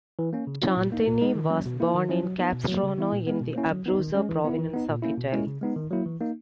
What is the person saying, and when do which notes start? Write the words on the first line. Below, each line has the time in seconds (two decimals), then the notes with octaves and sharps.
Santini was born in Capestrano in the Abruzzo province of Italy.
0.19 E3
0.33 A#3 C#4
0.47 C#3
0.62 F#3 C#4 E4
0.76 A#2
0.92 A#3 D#4
1.07 A#2
1.21 G#3 D#4
1.35 D#3
1.50 F#3 A#3 C#4
1.66 B2
1.80 A#3 E4
1.95 D#3
2.09 F#3 C#4 E4
2.23 F#3
2.38 B3 D#4
2.53 B2
2.68 F#3 A#3
2.83 C#3
2.98 E3 B3 E4
3.12 A#2
3.27 G#3 B3
3.41 B2
3.56 A#3 C#4 E4
3.71 F#3
3.86 B3 D#4
3.99 D#3
4.15 G#3 C#4
4.29 E3
4.44 B3 E4
4.59 E3
4.73 B3 D#4
4.89 A#2
5.02 A#3 C#4 E4
5.17 B2
5.32 G#3 C#4 E4
5.47 C#3
5.61 G#3 B3 D#4
5.76 D#3
5.90 F#3 A#3 E4
6.06 E3
6.21 A#3 D#4